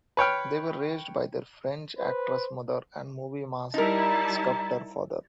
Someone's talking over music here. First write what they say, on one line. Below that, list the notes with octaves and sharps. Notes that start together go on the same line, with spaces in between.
They were raised by their French actress mother and movie-mask sculptor father.
B4 C#5 G5 F6
B4 C5
G3 D#4 E4 A#4 A5